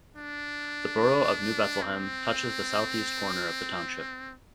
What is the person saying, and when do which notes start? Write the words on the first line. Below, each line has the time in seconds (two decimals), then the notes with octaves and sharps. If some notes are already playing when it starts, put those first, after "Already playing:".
The borough of New Bethlehem touches the southeast corner of the township.
0.16 D4
1.82 C4